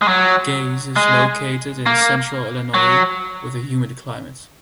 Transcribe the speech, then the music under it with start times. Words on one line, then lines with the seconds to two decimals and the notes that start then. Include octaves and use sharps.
Gays is located in Central Illinois, with a humid climate.
0.02 G#3
0.08 F#3
0.96 G#3
1.86 A#3
2.74 F#3